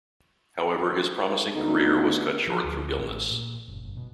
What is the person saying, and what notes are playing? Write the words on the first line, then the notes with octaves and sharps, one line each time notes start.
However, his promising career was cut short through illness.
D2 B3 D#4
F3
D2
A1
A#2
F#1
G1
B2